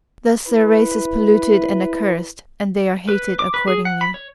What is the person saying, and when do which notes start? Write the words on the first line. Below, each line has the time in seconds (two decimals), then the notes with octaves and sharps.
Thus their race is polluted and accursed, and they are hated accordingly.
0.47 E4 B4
3.09 B4
3.39 D6
3.54 B4
3.68 G#4
3.85 F#5
4.01 B5
4.14 C#5